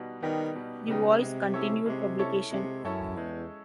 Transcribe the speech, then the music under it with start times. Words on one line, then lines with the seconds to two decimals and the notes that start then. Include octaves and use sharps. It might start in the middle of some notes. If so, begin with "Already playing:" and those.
The "Voice" continued publication.
Already playing: B2 G3 B3 D#4
0.22 D#3 G3 B3 D#4 G4
0.55 B2
0.88 C#3 G3 B3 D#4 G4
1.21 C3 G#3
1.54 C#4 E4 A4 C#5
1.86 C3 G#3
2.19 C#4 E4 A4 C#5
2.51 C3 G#3
2.84 F#2 C#4 E4 A4 C#5
3.17 E2 G#3